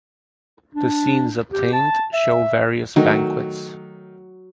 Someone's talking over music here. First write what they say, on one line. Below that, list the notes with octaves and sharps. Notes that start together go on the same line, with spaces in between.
The scenes obtained show various banquets.
D4
G4
A5
E5
D#3 F#3 A3 D#4